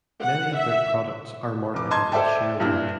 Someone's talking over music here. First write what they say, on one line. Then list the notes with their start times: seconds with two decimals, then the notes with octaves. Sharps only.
Many of their products are marketed as shareware.
0.22 F#5
0.57 E5
1.74 F1 D6
1.91 D#5 A5 C6 G#6
2.12 A4 C5 D5 E5 G5 A5
2.60 G2 A#2 D4 E4